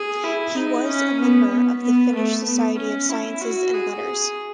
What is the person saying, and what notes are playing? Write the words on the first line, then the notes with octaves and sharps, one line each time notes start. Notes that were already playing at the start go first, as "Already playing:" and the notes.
He was a member of the Finnish Society of Sciences and Letters.
Already playing: G#4
E4
D#4
C#4
B3
B3
B3
A3
B3
C#4
E4
F#4
G#4